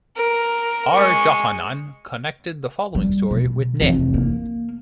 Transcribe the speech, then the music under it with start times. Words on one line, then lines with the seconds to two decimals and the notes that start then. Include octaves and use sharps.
R. Johanan connected the following story with Neh.
0.17 A#4
0.93 G#3 C#6
2.95 G3
3.31 B2
3.80 F1 E3
4.14 A#3